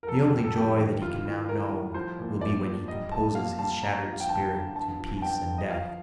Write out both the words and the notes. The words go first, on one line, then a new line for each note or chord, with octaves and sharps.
The only joy that he can now know will be when he composes his shattered spirit to peace and death.
A#4
F2 A4
G3
A4
F2 G4
D#3
G3 F4
A2
A2 A#4
G3
F3 C5
A#2
A#2 D5
F3
G3 D#5
A#2 A5
A#2 F5
G3 A5
G2 A#5
F3
F5
G5
G2 A5
D3
G2 A5
F3
A5
G2 G5
D3
D#5
F3 F5